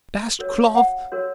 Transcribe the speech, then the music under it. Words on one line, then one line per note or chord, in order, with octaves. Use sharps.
Bast cloth.
F#4 A#4 C#5
F5
F#5
F#4 A#4 C#5